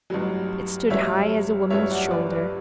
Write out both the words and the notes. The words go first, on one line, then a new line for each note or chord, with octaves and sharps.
It stood high as a woman's shoulder.
A1 G2 F#3
A1 G2 F#3 C#5 E5
A1 G2 F#3 C#5 E5
D5 F#5
B4 D5
B4 D5